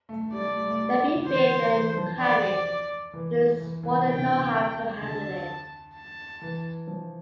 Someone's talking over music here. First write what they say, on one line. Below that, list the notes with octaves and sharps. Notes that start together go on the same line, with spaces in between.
There'd be fear, then panic: they just wouldn't know how to handle it.
A3
G3 D5
A3
G3
A3
G3
D3
E3 C5
E3
F3
D5
E3
E3
E3
D3
C3 G5
D3
D3 A5
A5
E3
F3